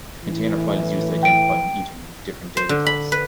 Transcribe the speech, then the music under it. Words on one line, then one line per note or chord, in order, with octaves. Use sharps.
The container file is used to identify and interleave different data types.
A2 E3
G5 D7
C5
D3
B5
B4